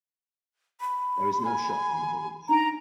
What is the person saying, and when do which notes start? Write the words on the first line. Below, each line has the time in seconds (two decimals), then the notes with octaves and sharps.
There is no shop in the village.
0.81 B5
1.44 G#5
2.49 D4 D#4 A#5 D7